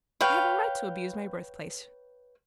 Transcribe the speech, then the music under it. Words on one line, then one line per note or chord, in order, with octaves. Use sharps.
I have a right to abuse my birth-place.
B4 C#5 F5 G5